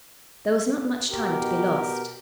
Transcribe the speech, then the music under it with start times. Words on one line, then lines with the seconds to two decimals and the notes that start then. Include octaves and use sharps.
There was not much time to be lost.
1.09 B2 G4 A#4